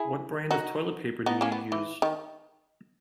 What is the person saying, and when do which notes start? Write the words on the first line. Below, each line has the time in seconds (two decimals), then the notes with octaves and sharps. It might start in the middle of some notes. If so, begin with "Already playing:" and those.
What brand of toilet paper do you use?
Already playing: E4 G#4
0.51 D#4 F#4
1.26 B3 D#4
1.41 A#3 C#4
1.52 B3
1.72 E3
2.02 D#3